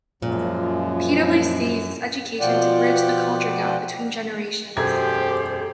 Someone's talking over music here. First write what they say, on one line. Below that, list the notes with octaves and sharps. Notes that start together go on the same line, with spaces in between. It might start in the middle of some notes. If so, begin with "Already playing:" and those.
PwC uses education to bridge the culture gap between generations.
F#2 A#2 F3 G#3 C#4
B2 F3 F4 D5 F#5 G5
E1 F#2 G4 A4 C5 G#6